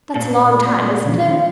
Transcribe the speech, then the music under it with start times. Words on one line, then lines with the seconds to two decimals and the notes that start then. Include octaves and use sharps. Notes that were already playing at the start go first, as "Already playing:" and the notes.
That's a long time, isn't it?
0.16 A#2
1.10 F3
1.20 D#3